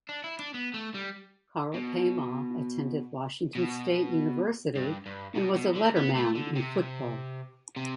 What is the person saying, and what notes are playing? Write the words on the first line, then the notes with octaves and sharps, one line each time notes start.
Karl Paymah attended Washington State University and was a letterman in football.
D4
E4
D4
B3
A3
G3
B2
B2
G2
G2
B2
B2
D3
B3
A3
D3
C3
C3